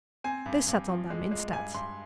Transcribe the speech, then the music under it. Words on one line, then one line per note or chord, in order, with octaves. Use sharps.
They sat on them, instead.
C4 G#5
G2
G2
F3
G#3
G#3
G2 G#5
G2 C6